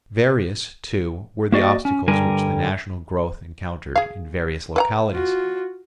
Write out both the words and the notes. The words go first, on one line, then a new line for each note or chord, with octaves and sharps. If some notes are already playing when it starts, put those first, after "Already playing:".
Various, too, were the obstacles which the national growth encountered in various localities.
A#3 F#4 D5 D#5
C#4
G2 D3 G3 A#4 G#5
G#4 F5
B4 F#5 A#5
F4 F#4